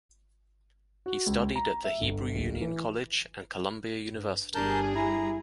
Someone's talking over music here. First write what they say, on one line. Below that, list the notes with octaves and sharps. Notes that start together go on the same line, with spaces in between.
He studied at the Hebrew Union College and Columbia University.
F#4
C#2
A#5
E5
G1
D1
E3
G2
G1 G3 D4 G#4 A#4 A5 G6
E4 A#5